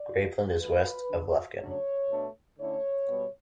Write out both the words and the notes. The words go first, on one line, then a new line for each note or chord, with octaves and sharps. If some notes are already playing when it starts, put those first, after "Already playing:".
Grapeland is west of Lufkin.
Already playing: D5
A2 E3 A3 E4
G2 E3 A3 B4
D3 F#3 B3 D4
C#3 F#3 A3 D4 C#5
B2 A3 D4
D3 A3 C#4 E4 C#5
B2 G3 B3